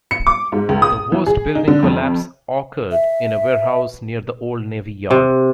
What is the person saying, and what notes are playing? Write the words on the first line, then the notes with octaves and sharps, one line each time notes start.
The worst building collapse occurred in a warehouse near the old Navy Yard.
C#7
D6
G#2
C#2
D#6
E3
G#4
D#4
D3
F2
E5
C3